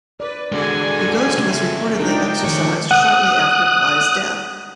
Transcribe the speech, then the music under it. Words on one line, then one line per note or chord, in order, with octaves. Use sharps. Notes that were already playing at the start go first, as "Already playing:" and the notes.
The ghost was reportedly exorcised shortly after Pye's death.
B4 D5
D3 G#3 D4 F#4 G#5
C#3 A3 C#4
D4 D#4 A#4 G5
D#3 F3 G#3 A3 C#5
F#5 D#6 F#6